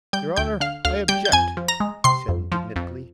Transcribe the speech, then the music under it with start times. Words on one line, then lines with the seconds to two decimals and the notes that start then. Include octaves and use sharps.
"Your Honour, I object," he said indignantly.
0.13 G3 G5 G6
0.36 D2 G5 G6
0.60 D3 F5 F6
0.85 D2 F5 F6
1.08 G3 G5 G6
1.25 G6
1.32 F2 G#5 G#6
1.57 F3
1.68 A#5 A#6
1.80 G#3
2.04 C3 C6 C7
2.28 F2
2.52 F3
2.76 F2